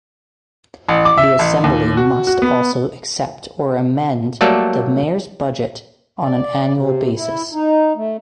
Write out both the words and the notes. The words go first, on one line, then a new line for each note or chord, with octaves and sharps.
The assembly must also accept or amend the Mayor's budget on an annual basis.
A1
D6
E5
A1
D#2
F#4
F#4
B3
F#3 G3 A3 A#3 A4 D5
D5
C3
E4
D#4
A3